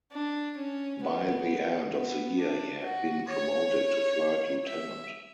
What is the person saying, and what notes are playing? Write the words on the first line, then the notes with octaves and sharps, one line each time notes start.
By the end of the year he had been promoted to flight lieutenant.
D4
C#4
B3
B3
D4
F#4
C#5
E5